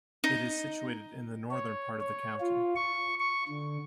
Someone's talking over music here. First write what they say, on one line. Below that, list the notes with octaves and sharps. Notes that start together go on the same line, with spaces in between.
It is situated in the northern part of the county.
D#4
C#5
C#5
F4
C#6
C#6
D3